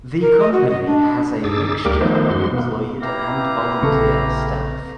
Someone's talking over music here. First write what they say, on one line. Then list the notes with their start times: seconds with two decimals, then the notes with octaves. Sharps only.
The company has a mixture of employed and volunteer staff.
0.21 A#4
0.40 D#5
0.53 F#4
0.69 D#5
0.86 D4
1.44 G2 D#4 G#4 D6 E6 A6
1.85 D2 G3 A#3 G4 A#4 D6
2.01 D#3 F3 A3 B3 D#4 C5
2.30 F#2 G#3 F#4 C6
2.51 B2 A#3 B3
3.01 E4 G4 B4 F5 A#5
3.83 A#1 C#3 A#3 C4 A4 C#6